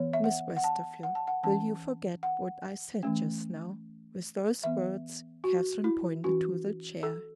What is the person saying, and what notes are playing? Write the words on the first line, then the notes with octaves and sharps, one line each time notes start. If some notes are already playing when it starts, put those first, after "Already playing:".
"Miss Westerfield, will you forget what I said just now?" With those words, Catherine pointed to the chair.
Already playing: E3 B3 C#5
E5
F#5
F#5
A5
F#5
A5
F#5
E3 C#4 A5
F#5
E3 A3 C#4
E3 B3 E5
F#4
E4
E3 C#4 F#4
A4